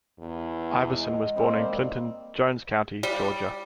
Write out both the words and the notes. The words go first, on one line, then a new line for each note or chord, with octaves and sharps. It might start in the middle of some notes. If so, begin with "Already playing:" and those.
Iverson was born in Clinton, Jones County, Georgia.
E2
G#3
G#2 G3 A#3 C4
G3